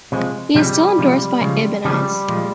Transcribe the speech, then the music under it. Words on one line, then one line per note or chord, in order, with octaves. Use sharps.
He is still endorsed by Ibanez.
C3 F3 G#3
C3 F3 G3 G#3 G4
C3 F3 G#3
C#3 F3 G#3
C#3 F3 G3 G#3 G4
A#2 F3 G#3